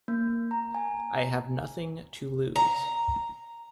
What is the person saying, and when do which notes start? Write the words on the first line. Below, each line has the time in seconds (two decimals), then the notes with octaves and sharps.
I have nothing to lose.
0.08 A#3
0.51 A#5
0.75 G#5
2.56 A#5